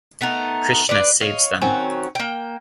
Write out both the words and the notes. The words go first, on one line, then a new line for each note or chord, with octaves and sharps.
Krishna saves them.
A3 B3 D#4 A#4
D4 B4 D5
C#5 D#5 F5
D#3 F#3 C4 C#4
A#3 G5